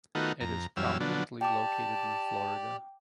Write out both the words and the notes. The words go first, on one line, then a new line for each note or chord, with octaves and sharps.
It is prominently located in Florida.
D#3 A3 B3 D#4 F4 F#4
F2 A#5
F#2 E3 G3 C#4 F5 E6
D3 F3 F#3 B3 D4
G4 D5 G5 A5 D6